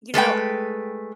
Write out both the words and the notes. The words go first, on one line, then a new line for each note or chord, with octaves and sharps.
you know, I
G#3 A3 B4 G5